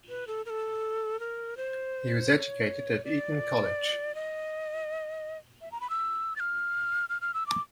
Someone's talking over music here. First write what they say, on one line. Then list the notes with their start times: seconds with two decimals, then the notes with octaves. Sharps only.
He was educated at Eton College.
0.09 B4
0.27 A4
0.46 A#4
0.50 A4
1.20 A#4
1.57 C5
2.30 C#5
3.04 D5
4.15 D#5
5.61 E5
5.72 A#5
5.81 B5
5.90 E6
6.36 A6
6.40 F6
7.09 F6
7.22 F6
7.34 E6
7.47 D6